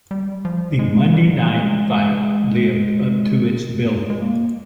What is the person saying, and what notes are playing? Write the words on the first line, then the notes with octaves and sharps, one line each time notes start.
The Monday night fight lived up to its billing.
G3
F3
G#3
G3
G#3
G#3
A#3